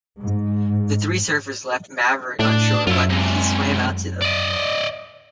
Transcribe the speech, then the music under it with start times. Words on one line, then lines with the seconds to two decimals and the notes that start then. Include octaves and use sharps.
The three surfers left Maverick on shore, but he swam out to them.
0.21 G#2
2.39 A2 D4
2.87 F#2 F4 E5
3.09 C3 G#3
4.22 D5 D#5